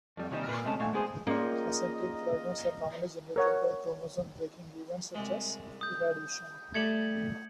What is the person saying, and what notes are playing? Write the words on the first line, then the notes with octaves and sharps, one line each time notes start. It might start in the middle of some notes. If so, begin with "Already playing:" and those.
Acentric fragments are commonly generated by chromosome-breaking events, such as irradiation.
F2 G3
D#2 C3 E3 G3 D#4 E5
A#2 A#3 B4
C3 G#3 A3 C#4 A5
A#2 D3 A3 F5 F#5 G#5
G#3 B3 G#4 C5
A#3 C#4 D#4 F4 G#4 D5 D#5
A#4 C#5 F#5
C2 G#3
D#6 G6
G3 A3 G#6 C#7 F#7